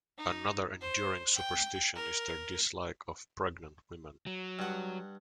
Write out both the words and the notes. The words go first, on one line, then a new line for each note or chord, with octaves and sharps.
Another enduring superstition is their dislike of pregnant women.
D#4
C5
G5
A#4
F#3
G2 F#5